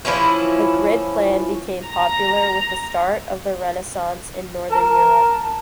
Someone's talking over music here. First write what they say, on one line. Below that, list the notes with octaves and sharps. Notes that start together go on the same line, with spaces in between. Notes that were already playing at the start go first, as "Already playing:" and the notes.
The grid plan became popular with the start of the Renaissance in Northern Europe.
E3 F3 C#4 E4
A#5
A#4 A5